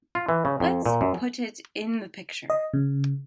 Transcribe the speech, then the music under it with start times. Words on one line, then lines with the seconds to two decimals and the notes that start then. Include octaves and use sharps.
Let's put it in the picture.
0.15 F4
0.29 E3
0.45 C#3
0.60 F2
0.86 A#2
1.01 F#2
2.50 D#5
2.74 C#3